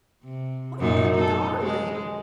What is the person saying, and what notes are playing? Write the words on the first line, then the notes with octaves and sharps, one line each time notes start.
What a darling!'
C3
F#2 A#2 D#4
D#4 A4
G#3